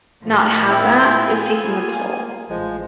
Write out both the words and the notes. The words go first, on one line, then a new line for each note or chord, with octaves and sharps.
not have that is taking a toll.
A2 D#3 F3
C4 E4
F4 G#4 G#5
A#3
A1 F3 G#3